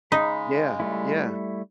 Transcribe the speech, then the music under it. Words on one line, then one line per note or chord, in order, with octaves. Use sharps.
Yeah, yeah,
C#3 G#3 D#4 B5
G3 A3 E4